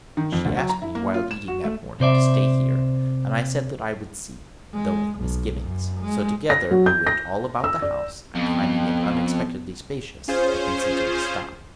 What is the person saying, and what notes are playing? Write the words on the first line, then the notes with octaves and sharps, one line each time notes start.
She asked me while eating that morning to stay here, and I said that I would see, though with misgiving: so together we went all about the house, and finding it unexpectedly spacious, I consented to stop.
D#3
F2
D2
F#3
A#5
E4
A#3
F4
E7
F#4
A3
C3 C5 D5 E5
G#3
B1
F#2
G#3
A#6
F#3
G6
A#6
E6
D5
F2 B3
C#4 F4 G#4 C5